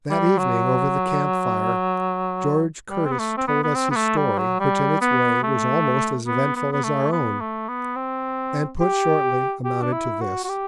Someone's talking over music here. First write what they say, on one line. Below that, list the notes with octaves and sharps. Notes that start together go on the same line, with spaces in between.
That evening, over the camp fire, George Curtis told us his story, which, in its way, was almost as eventful as our own, and, put shortly, amounted to this.
G3
F#3
G3
C4
B3
A3
C4
B3
B3
C4
B3
A3
G3
F#3
G3
B3
A3
B3
B3
B3
A3
B3
A3
B3
C4
G4
G4
D4
E4
F#4
F#4
G4